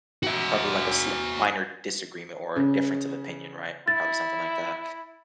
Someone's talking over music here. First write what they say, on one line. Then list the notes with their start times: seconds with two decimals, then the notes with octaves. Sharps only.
Probably like a sl minor disagreement, or difference of opinion, right? Probably something like that?
0.23 F#4 E5
2.56 C#3
3.88 E4 A6